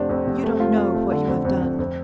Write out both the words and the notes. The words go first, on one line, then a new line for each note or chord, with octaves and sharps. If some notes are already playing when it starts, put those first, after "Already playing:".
You don't know what you have done.
Already playing: F1 C4 D4
F2
F1
A3
F4
F4
A3
D3
F2
F2
F2
F2